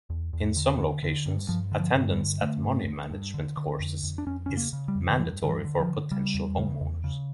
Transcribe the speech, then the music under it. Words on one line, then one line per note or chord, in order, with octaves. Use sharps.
In some locations, attendance at money management courses is mandatory for potential homeowners.
E2
E2
D3
D3
D3
G2
G2 F3
D3
F3
G2
G3
D3
D3 A3
G2
D3
G2
D3
D3
F2
F2
D4
F2 C#4
C#3 C#4
A#3
C#3
G3
F2
D3
G2 E3
G2 D3
E3
D3
F3
D3
C#3 G3
E2
C#3
E2
C#3